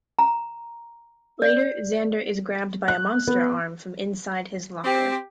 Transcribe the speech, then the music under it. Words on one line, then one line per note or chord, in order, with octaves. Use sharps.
Later, Xander is grabbed by a monster arm from inside his locker.
A#5
D5
F#6
B3
C4 G4